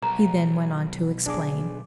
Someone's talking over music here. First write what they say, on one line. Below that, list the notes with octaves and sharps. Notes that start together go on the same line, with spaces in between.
He then went on to explain.
B1 A#5
D4 G#4 D6